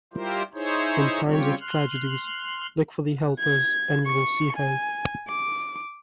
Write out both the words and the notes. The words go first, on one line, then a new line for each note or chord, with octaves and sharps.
In times of tragedies, look for the helpers and you will see hope.
G3 E4 F4 G4 A#4 C5
D#4 E4 G#4 C5 C#5
C#3 G3 C4 F4 G4 C#5
C6 F6 F#6
G#6
C#6
G#5
D6